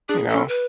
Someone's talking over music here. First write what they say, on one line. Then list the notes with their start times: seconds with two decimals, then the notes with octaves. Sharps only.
you know.
0.09 D4 G#4
0.28 A4
0.35 C#4
0.48 B4